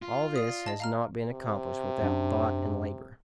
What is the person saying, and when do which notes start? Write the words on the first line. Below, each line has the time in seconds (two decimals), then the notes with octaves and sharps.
All this has not been accomplished without thought and labor.
0.02 F4
0.36 D5 D#6
0.66 D#5 A5
0.80 F5 A#5 F6
1.32 C3
2.01 F#2 D4